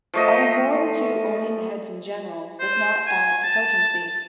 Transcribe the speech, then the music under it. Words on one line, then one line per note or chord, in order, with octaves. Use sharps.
Adding more than two onium heads in general does not add to potency.
F3 A3 D#5
C5
G#5
A5